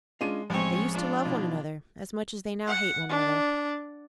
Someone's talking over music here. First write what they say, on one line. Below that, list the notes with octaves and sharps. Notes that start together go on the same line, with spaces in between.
They used to love one another as much as they now hate one another.
G#3 C#4 D4 F4 D#7
A1 F3 G#3 C4 C#4 C#5
D4 F4
B2 D#3
F#5
D4